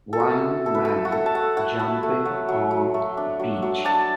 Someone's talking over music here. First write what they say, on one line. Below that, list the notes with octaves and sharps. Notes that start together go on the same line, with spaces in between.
One man jumping on beach.
A4
E4 F#4
E4
E4 A4
B4
E4 A4
F#4
E4 A4
A5
A3 F#5
E4 F#5
E4 A5
A3
F#3
F#3
F#3
A3
D4
F#3
F#3
D4 A5